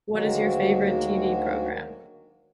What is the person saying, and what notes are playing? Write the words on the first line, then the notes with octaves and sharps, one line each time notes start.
What is your favorite tv program?
D2 D#3 F#3 G#3 A#3 F#4